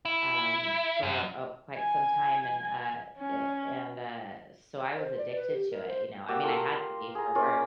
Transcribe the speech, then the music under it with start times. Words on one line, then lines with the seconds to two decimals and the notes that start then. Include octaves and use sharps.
um, for a quite some time, and, uh, eh, and, uh, so I was addicted to it, you know, I mean, I had to be for work.
0.05 E4
1.03 F#2
1.78 G#5
3.17 C#4
4.98 C5
5.18 D5
5.36 B4
5.53 G4
5.71 A#4
5.88 C5
6.28 A#3 F#4 G4 E6
6.43 A3 F4 A4 A#4
6.56 A#5 C6
7.15 G#4 A#5
7.35 A#3 C#4 F4 A#4